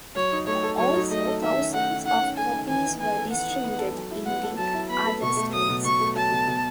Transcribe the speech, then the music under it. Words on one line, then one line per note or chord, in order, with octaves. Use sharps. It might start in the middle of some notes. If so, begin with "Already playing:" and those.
Also, thousands of copies were distributed in the other states.
F#3 C#5
D#4
A3 C#5
A4
F#3 C#5
D#4
A3 D#5
A4
D#3 E5
C#4
A3 F#5
D#3
D#3 F#5
C#4
A3 G#5
D#3
E3 G#5
D#4
B3 G#5
A4
E3 F#5
D#4
B3
A4
F#3
E4
B3 F#5
A4
F#3 A5
E4
B3 B5
A4
B2 C#6
A3
F#3 D#6
B2
B2 C#6
A3
F#3 A5
B2
B2